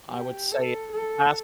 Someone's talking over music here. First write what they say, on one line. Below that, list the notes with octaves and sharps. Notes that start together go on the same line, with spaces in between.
I would say it has
G4
A4
A4